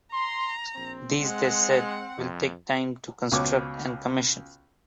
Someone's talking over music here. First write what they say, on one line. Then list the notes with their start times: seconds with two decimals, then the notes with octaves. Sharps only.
These, they said, will take time to construct and commission.
0.13 A#5 C6
0.77 A#1 C4
1.23 G#3 F#5
2.17 F2
3.32 C#2 B2 C#5 D6